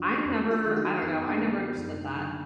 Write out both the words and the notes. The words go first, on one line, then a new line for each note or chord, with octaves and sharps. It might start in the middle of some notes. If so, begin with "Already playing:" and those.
I never I don't know, I never understood that.
Already playing: F2 D#3 F#3 D4 F4 F#4
F2
F4 G#4
D#3 F#3
D#4 F#4
F#2 B3 D#4
A#3 D4
D3 F#3
G#3 B3
F#2
D3 F#3